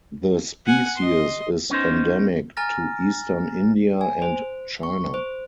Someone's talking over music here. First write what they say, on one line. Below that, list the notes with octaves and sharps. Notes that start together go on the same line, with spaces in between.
The species is endemic to eastern India and China.
F#5 G#5
D#5 C6
B3 C#4 D#4 C5
G#5 A#5 F6 A6 A#6
G#5
C5
C#6
C5